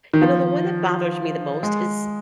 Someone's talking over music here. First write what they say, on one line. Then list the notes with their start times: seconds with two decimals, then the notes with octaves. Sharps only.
You know, the one that bothers me the most is
0.13 D#3
0.22 F3
1.63 G#3